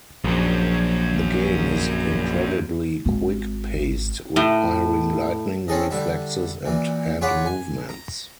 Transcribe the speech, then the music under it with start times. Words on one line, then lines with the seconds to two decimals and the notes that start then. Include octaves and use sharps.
The game is incredibly quick paced, requiring lightning reflexes and hand movements.
0.24 A#1 F#2 F#3
3.06 G#1
4.36 A2
5.68 C4 C#4 G#4 A4 D#5
5.91 D3 G3 E4
6.65 A#2 E3
7.22 F4 G#4 C#5 F#5 B5 D6
7.46 G#5
7.89 A#5